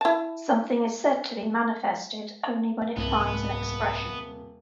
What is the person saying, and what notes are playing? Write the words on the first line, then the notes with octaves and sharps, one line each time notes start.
Something is said to be manifested only when it finds an expression.
E4 A5
D#1 C2 G#2 C3 B3